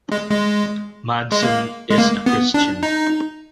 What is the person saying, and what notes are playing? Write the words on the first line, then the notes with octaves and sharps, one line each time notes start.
Madson is a Christian.
G#3
G#3
G#3
A#3
G#3
A#3
B3
D4
D#4